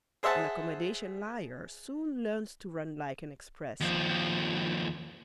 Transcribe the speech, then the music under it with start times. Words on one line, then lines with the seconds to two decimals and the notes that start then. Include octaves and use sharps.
An accommodation liar soon learns to run like an express.
0.23 G#4 C5 E5 F#5 A5
3.80 D#2 F3